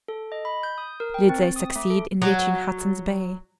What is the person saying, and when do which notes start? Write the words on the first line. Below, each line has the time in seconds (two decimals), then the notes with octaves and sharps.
Did they succeed in reaching Hudson's Bay?
0.08 A4
0.32 D#5
0.45 B5
0.63 G6
0.78 D#6
1.00 A#4
1.14 G5
1.29 C4
1.43 C4
1.56 D#6
1.76 A3
1.90 A4
2.22 F#3